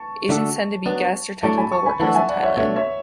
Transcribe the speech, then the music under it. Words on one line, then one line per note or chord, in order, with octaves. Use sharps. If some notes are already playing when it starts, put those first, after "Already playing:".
Asians tend to be guest or technical workers in Thailand.
Already playing: A5 C#6
D3 A3 D4 F#4 A4
F#3 B3 D4
A2 F#3 A3 D4 A5 C#6
G#5 B5
A5 C#6
G#5 B5
E3 A3 D4 A4 F#5 A5
E5 G#5
D5 F#5
C#5 E5
B2 A3 D4 C#5 E5
C#5 E5